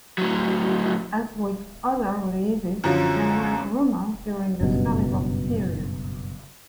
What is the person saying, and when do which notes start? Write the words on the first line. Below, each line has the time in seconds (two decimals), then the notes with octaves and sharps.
As with other releases, there were rumors during the "Salival" period.
0.18 A2 F#3
2.84 F#2 D3 F3 F#3
4.61 F#1 G2 B2